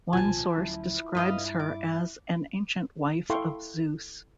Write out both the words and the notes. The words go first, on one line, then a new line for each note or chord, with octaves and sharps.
One source describes her as an ancient wife of Zeus.
B1 A#2 D#3 F3 G#5 A5
D2 F#3 C#4 E4
G2 B4 D#5 F5
D6
E4 A4 F5 G5 C6 C#6